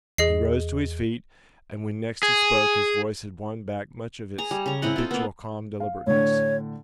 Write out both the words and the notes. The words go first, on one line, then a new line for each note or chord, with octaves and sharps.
He rose to his feet, and when next he spoke his voice had won back much of its habitual calm deliberateness.
E2 G#4 D#5 C7
G#4
G#4 A#5
G3
C#3 A#5
C4 E4 D#5 F#5
F4 A4
A#3 B3
F5
A2 D3 C#5